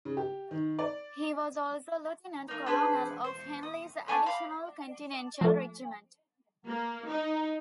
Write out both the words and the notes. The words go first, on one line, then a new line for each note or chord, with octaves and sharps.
He was also Lieutenant-Colonel of Henley's Additional Continental Regiment.
C#3
G4
D#3
D5
A#3 D#4
D4 G#4 B4 C5
C5
D#6
A3 D4 G#5 D6
F5 B5 D6
F3 A3
A#3
D#4